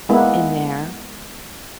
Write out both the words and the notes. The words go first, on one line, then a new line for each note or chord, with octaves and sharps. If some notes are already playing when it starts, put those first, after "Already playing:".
In there.
G#3 A#3 B3 E4